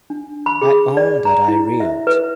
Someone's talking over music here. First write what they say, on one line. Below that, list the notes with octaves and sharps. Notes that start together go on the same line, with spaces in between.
I own that I reeled.
D4
B5
G#4
D5
A#5
E4
E5
B4